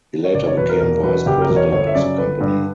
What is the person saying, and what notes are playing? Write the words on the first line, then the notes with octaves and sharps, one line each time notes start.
He later became Vice President of the company.
C#5
F#1 D5
C#5
E2 B2 B4
A#4
E1 A#4
E2 B2 B4
F#1 G4
A#4
E2 B2
C#5
G1 C#5
E5
F#2 C#3 D5
G1 B4
G2 D3